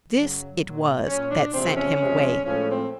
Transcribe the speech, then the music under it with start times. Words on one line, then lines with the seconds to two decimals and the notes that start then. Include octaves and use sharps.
This it was that "sent him away."
0.14 F#2 C#3 F#3
0.60 A#2 F#3
1.06 A#2 F#3 C#4
1.29 D4
1.52 E2 C3 F3 G#3 C4
1.76 C#4
1.99 E2 C3 F3 G#3
2.45 A2 F3 G#3 C#4
2.68 C4